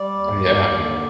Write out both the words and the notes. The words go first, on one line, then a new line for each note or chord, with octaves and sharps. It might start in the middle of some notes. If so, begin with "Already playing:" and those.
Oh yeah.
Already playing: G3 D5
D#2
D#2
D#2
D3